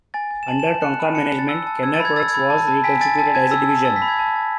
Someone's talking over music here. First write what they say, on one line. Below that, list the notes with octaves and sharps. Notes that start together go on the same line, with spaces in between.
Under Tonka management, Kenner Products was reconstituted as a division.
G#5 A6
G#5
E7
A5 F#7
E7
A5
F#6 C#7
B5
A5 C#7
A5
A6
E6
A5
E6 G#6
A6
B5
G#6
E6 A6
G#6
B5
A5
A5
G#5 B6
G#5 A6
A5 A6
A5 G#6
E6
A5
E6 A6
B6
B5
G#6
A5
A5